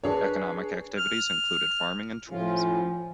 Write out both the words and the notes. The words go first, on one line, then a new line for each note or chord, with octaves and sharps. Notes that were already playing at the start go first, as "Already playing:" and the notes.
Economic activities included farming and tourism.
D4 G#4 A#4 B4 C#5
F6
A2 F3 C#4 F4